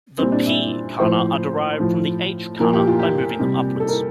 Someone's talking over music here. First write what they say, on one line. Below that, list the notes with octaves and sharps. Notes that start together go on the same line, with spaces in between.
The "p" "kana" are derived from the "h" kana by moving them upwards.
A#2 G3 C4
D4
E4
A2 F3 C5
A2 F3
A#2 F3 A#4
G4
F4
G4
C3 G3
A4
A#4